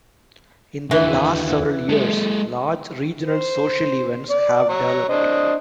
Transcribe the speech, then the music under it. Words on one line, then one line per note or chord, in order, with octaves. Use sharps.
In the last several years, large regional social events have developed.
D#2 D3 E3
G#3 A4
C5
D5
C#5 A#5
D4 C5 D#5